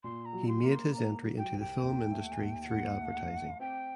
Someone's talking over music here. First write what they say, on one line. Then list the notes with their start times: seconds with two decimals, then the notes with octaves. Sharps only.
He made his entry into the film industry through advertising.
0.04 A#2 C6
0.25 A#5
0.33 F#3
0.48 C6
0.63 A#3
0.70 C6
0.92 A#3 A#5
1.23 F#3
1.37 G5
1.52 C2
1.60 G5
1.82 D#2
2.11 A3
2.40 D#2
2.70 D#2 F#5
3.00 A3
3.29 A3
3.59 C4 G5